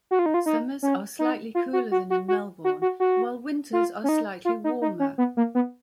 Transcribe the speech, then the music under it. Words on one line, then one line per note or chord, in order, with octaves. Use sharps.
Summers are slightly cooler than in Melbourne, while winters are slightly warmer.
F#4
F4
D#4
F4
D#4
C#4
D#4
F4
F#4
F#4
F#4
F#4
F#4
F#4
F#4
F4
C#4
D#4
F4
D#4
D#4
C#4
B3
A#3
B3